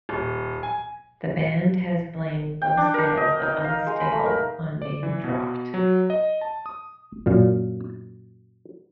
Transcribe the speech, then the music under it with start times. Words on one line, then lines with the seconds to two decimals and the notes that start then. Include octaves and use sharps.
The band has blamed low sales of "Unstable" on being dropped.
0.09 D#1
0.63 G#5
2.62 G5
2.77 D4
2.94 A#4
3.17 D#5
3.43 D#4
3.64 F5
3.87 G#3
4.01 B5
4.12 A3
4.26 A#4
4.82 D5
5.03 E3
5.24 B2
5.74 F#3
6.10 D#5
6.41 A5
6.66 D#6
7.26 F#2 A#2 F5